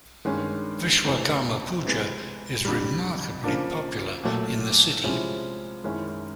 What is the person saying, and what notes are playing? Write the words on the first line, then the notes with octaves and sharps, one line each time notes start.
Vishwakarma Puja is remarkably popular in the city.
G2 D#3 G#3 C#4
F2 C3 E3 A3 C4
C3 E3 G#3 B3
F2 D3 G3
C#3 F3 A#3 D4
A#2 F#3 A3
C3 F3 G#3 C#4 E4
F#2 D#3 G#3 C#4 E4